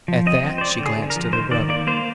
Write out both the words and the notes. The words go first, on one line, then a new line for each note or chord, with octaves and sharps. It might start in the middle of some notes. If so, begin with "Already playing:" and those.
At that, she glanced at her brother.
F3
C4 D#5
C4
C5
C4 D5
D3
G#4
D3
A#4
F3
D#3 C5
D#3 D5
A#3 D5
A#3 C5